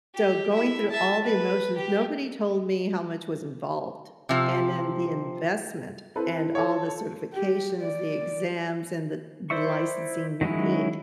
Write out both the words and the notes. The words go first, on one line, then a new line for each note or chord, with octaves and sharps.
So, going through all the emotions, nobody told me how much was involved, and then the investment, and all the certifications, the exams, and the the licensing you need,
G4
E4 E5
E5 A5
B4
G4
C3 F3
C4 E4 A4 B4
F4 A4 C#5 A5
G4
D5
E4 C5 D5 E5 C#6
D#3 F#3 G#3 C#4 E4